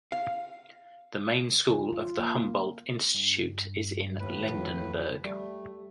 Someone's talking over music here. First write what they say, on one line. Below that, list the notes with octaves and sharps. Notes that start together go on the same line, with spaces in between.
The main school of the Humboldt Institute is in Lindenberg.
F5
F4
F4
A#3
G2
D#2 A2 B4
F2
G3 A3